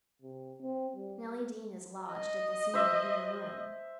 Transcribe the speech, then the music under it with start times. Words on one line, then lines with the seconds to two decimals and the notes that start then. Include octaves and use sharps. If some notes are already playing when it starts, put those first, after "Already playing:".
Nelly Dean is lodged, at this minute, in your room.
0.22 C3
0.61 C4
0.96 G3
2.13 D#5
2.74 C5 E5